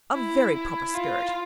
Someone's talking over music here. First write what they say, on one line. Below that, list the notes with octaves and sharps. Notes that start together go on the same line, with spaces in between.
A very proper spirit!'
E4
E4
F4